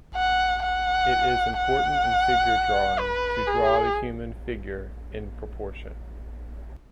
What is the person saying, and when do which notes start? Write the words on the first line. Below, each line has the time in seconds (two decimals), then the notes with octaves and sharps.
It is important in figure drawing to draw the human figure in proportion.
0.15 F#5
0.63 F#5
1.58 F#5
3.00 B4
3.47 G#4